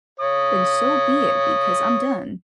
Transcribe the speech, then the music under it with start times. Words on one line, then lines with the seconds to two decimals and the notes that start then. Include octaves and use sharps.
then so be it, because I'm done.
0.20 C#5 D#6